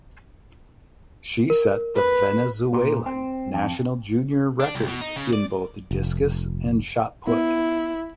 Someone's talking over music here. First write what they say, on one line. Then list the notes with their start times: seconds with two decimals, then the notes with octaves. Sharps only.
She set the Venezuelan national junior records in both discus and shot put.
1.50 A#4
1.95 B4
2.73 A#2
3.06 C4
3.54 F2
4.60 D4
4.75 C2
4.88 B2
5.01 D#4
5.16 C#3
5.33 D5
5.91 F1
7.27 B3 E4